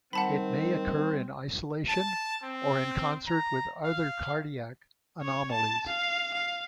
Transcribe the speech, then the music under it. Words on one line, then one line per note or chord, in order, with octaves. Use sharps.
It may occur in isolation or in concert with other cardiac anomalies.
D#3 G3 C4 F#5 A5 B5
A5
C4
A#5
F5
C#5
A5
F5
F5